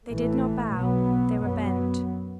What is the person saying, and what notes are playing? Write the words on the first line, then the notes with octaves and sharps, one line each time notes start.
They did not bow, they were bent.
A1 A2 E3 A3
B1 B2 F#3 B3
F#2 F#3 B3